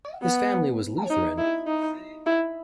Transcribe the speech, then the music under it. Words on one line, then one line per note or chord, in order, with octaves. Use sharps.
His family was Lutheran.
B3
D#4
E4
D#4
E4